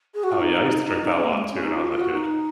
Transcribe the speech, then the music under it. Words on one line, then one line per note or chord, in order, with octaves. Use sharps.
Oh, yeah, I used to drink that a lot too when I was a kid, but
G#4
F#4
F4
D#4
C#4
A#3
G#3
C#4
D#4
F4
F4
F#4
D#4